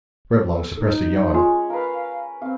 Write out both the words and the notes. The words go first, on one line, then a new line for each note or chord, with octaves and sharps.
Reblong suppressed a yawn.
A4
D#4
G#3 C#4 F4
A#4 B4 F5
C4 F5